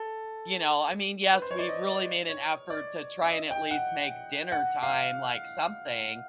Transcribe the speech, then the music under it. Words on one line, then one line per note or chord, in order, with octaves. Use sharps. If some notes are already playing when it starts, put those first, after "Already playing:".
you know I mean, yes, we really made an effort to try and at least make dinner time, like, something
Already playing: A4
B4
C5
C#5
D5
D#5
D5
C#5
D5
E5
D#5
G5
F#5
F#5
F5